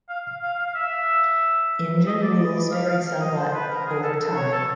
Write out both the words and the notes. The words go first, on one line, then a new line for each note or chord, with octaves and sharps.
Engine rules varied somewhat over time.
F5
F5
F5
F5
E5
D#5
D5
D#5
F5
F5
D#5
C5
B4
A#4
G#4
A4
C#5
A4